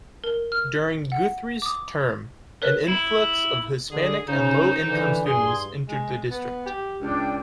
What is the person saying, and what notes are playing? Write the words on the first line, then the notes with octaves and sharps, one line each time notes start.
During Guthrie's term, an influx of Hispanic and low income students entered the district.
A#4
F6
F#5
D6 D#6
A#4 B4 C#5 F#6 B6
E4
D3 G#4
C#3 D#4 C5
D3 E3
G2 G#4 G#5 C6
G#3
B3
G4
C#2 D4 G5